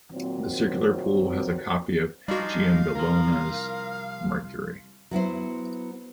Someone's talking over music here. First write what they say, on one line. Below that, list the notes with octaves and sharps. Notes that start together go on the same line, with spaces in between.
The circular pool has a copy of Giambologna's Mercury.
A#2 D#3 F#3 C4
F3 G3 G#3 D4 D#4 F#4 F5
C2 F3 A#4
F#3 B3 E4 C5